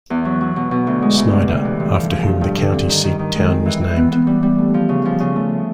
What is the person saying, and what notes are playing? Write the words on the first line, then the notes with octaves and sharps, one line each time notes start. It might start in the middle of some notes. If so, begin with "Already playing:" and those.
Snyder, after whom the county seat town was named.
E2
F#3
F#3
B2
B2
D2
G#3
D2
C3
D2
E3
G2
F3
F3
G2
G2
D3
C4
D#3
D#3
D#3
G#3
C4
E3
E3
B3
B3
G3
G3
A3
F3
C#3
F3
C#3
A3